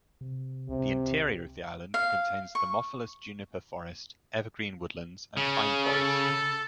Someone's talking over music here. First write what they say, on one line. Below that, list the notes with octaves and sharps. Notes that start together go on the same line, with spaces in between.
The interior of the island contains thermophilous juniper forest, evergreen woodlands and pine forest.
C3
C#2 C3
F5
C#6
C#3
A4